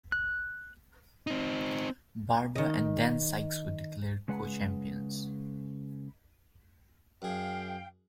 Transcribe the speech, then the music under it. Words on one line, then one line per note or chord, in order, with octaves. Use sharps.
Barber and Dan Sikes were declared co-champions.
F#6
C4 D#4
D#3 D#5
C#3 G#3 B4 F#5
F#2 G#4 F5 G5